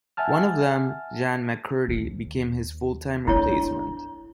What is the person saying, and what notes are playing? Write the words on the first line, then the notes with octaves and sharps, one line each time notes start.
One of them, Xan McCurdy, became his full-time replacement.
E5 F#5 G#5 A5 F6
D#2
D4 E4 C#5